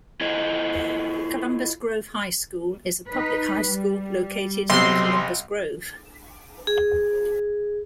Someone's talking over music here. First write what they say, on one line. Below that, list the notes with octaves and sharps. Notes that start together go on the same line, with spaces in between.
Columbus Grove High School is a public high school located in Columbus Grove.
E4 F4 A4 C5 D#5
D#4 B4
G3
B1 C3 F#3 D#5 C6
G#4